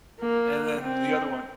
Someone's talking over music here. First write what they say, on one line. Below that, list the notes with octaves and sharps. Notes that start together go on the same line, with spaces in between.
and then the other one
A#3
C4